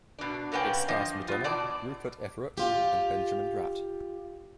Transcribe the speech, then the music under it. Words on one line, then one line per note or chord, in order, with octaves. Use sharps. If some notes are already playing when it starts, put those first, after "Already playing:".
It stars Madonna, Rupert Everett, and Benjamin Bratt.
B2 D4
C3 A#3 B3 C#4 G5
F3 D4 C5 D#5
B3 F4
B2 D5 A5
F4 G4